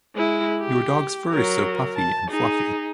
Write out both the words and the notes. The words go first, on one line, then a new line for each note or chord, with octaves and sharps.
Your dog’s fur is so puffy and fluffy.
G#3 E4
G4
F#3 A#4
A5
D#4 G#4